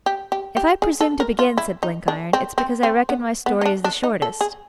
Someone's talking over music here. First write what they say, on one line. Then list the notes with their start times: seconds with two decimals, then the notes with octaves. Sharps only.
'If I presume to begin,' said Blenkiron, 'it's because I reckon my story is the shortest.
0.06 G4
0.32 G4
0.57 G4
0.82 G#4
1.01 A4
1.20 A#4
1.39 F4
1.58 E4
1.83 D#4
2.08 D4
2.33 C4
2.58 C4
2.83 C4
3.09 B3
3.46 B3
3.61 D#4
3.66 D4
3.84 D4
4.04 D#4
4.22 A4
4.41 G#4